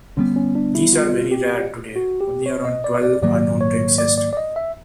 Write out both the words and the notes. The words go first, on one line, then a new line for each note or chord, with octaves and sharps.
These are very rare today: only around twelve are known to exist.
D3 G3 B3 C#4
C#4
D4
E4
F4
G4
F#4
G4
C#5
D#5
D5
D5
G#2 D#3 F#3 A#3 D5
C#5
D5
D5
D5
D#5
E5